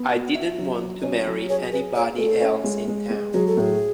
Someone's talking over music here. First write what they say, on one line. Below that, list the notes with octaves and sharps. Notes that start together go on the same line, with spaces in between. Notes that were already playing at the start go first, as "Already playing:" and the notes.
I didn't want to marry anybody else in town.
Already playing: B3
F#4
E5
F#3
F#3
C#4
F#3
G#4 C#5
G#4 B4
G#4 C#5
A3 A4
C#4
G#3
G#3
G#3
F#3 G#4
A4
A2 G#4